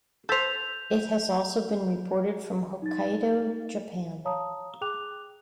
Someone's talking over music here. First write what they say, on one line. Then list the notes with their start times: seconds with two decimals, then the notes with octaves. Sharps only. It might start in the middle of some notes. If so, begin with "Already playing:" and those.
It has also been reported from Hokkaido, Japan.
0.29 A4 C5 G6 B6 F7
2.82 D#4 A6
4.25 C#5 F5 A5 A#5 D#6
4.81 G#4 G5 D6 F#6 F7